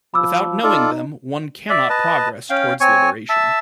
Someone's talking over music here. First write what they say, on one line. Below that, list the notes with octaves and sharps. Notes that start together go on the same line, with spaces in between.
Without knowing them one cannot progress towards liberation.
F3 B5 D6 E6
D#4 F4 A4 D5
D5 E5
B4 D#5 A5
C#4 F5 G5
C4 C#5 G#5 C#6
E5 A5 E6